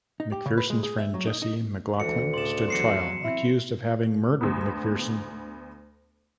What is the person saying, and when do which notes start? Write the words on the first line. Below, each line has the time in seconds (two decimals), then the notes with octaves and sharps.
McPherson's friend Jessie McLachlan stood trial, accused of having murdered McPherson.
0.20 D#4
0.32 G4
0.46 C#3
0.58 B4
0.70 G#3
0.83 G#4
0.99 E5
1.14 F#3
1.27 D#4
1.42 D#4
2.00 D2 D3 E3 C#7
2.34 A2 C#3 D5 C6 E7
2.68 E2 F#3 C6 C7 C#7
3.24 C4 E4
4.41 D2 B3